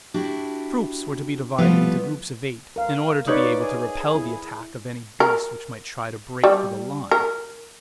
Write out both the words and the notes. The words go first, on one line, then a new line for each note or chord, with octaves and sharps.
The troops were to be divided into groups of eight, in order to be able to repel the attacks of any beasts which might try to break through the line.
D4 E4 F#4 G4
F3 G3 A3 B3 E4 F4
A#4 F5
D#4 B4 C#5 D5
G#4
E4
A#4
G3
A#4